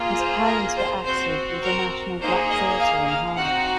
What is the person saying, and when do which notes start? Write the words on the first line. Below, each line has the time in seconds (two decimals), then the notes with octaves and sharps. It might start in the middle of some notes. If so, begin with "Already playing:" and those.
His parents were active with the National Black Theater in Harlem.
Already playing: A#3 F4 G#4
0.18 C5
0.47 A#4
0.77 C5
1.05 C4 F#4 C5
1.63 A#4
2.21 A#3 D#4 G#4 C5
2.50 D#5
2.79 F5
3.08 F5
3.36 C4 D#4 F#4 F#5